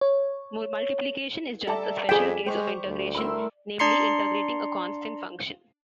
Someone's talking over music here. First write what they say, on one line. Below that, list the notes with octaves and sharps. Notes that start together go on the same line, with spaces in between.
Multiplication is just a special case of integration, namely integrating a constant function.
C#5
G3 A4 E5 A5 A#5 D6
F2 G#4 G5 D6 B6 E7
G#3 G4 C5 C#6 F7
D2
A3 E4 A#4 B5 C6 E6
D4 D5 A#5 C6 C7 C#7